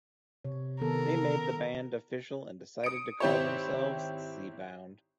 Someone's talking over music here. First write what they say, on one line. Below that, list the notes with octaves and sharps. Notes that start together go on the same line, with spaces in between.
They made the band official and decided to call themselves Seabound.
C3 C#5
D#3 B3 A4 A#4
D#6 C#7 D7
G#1 C4 E4 G4 C5 C#5